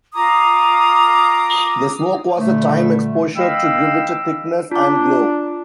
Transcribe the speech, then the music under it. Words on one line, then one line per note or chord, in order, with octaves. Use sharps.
The smoke was a time exposure to give it a thickness and glow.
F4 A#5 D6 D#6
A#2 D3 G3 A3
D#5 F5 G5 B5 E6
D4 F4 D6